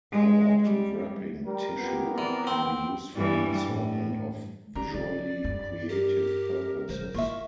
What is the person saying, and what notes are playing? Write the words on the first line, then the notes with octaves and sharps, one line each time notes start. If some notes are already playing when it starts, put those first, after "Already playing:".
Colored wrapping tissue can be used for an assortment of visually creative purposes.
G#3
G3
G3 A#4
B3 F4 G4
E3 C4 D5
C4 G5
G2 E3 G3
A2
D3 D4 A#5
C#3 D5
G2
G4 A#4
E1 F#3 C5
A#3 E4 F4 E5 C#6